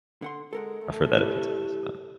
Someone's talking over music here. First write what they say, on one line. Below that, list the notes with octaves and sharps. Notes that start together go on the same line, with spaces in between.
I've heard that a few times as well.
D3 F#5 C6
G#3 A4 A#4 F#5
A3
E4 G4 D5